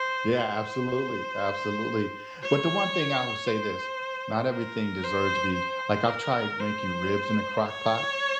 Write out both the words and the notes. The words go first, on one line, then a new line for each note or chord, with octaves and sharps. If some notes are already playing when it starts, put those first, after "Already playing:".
Yeah, absolutely, absolutely. But the one thing I will say this, not everything deserves to be like, I've tried making ribs in a Crock Pot.
Already playing: C5
C5
C#5
C5
A#4
C5
C5
A#4
C5
C#5